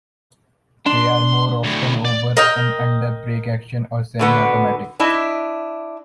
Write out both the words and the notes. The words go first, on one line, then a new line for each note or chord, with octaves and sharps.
They are more often over and under break-action or semi-automatic.
D4 C6
D2 A2
D5
A#4 D#5 G5
B2 D3 B3
D4 E4 D#5 E5